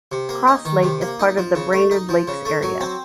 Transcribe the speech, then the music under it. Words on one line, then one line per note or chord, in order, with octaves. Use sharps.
Crosslake is part of the Brainerd Lakes Area.
C3
A#3
D#4
D#3
C3
A#3
D#4
F3
C#3
A3
D#4
F3
C#3
A3
F#3
C4